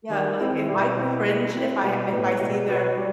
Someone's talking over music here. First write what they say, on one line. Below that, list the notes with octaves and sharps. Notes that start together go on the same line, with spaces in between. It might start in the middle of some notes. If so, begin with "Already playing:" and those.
Yeah, like, if I cringe, if I if I see their
D#3 G3
C4 E4
B2 G3
C4 E4
G3
C4 E4
B2 G3
A2 B3 F#4 B4 D#5
B2 G3
B2 B3 F#4 B4 D#5
G3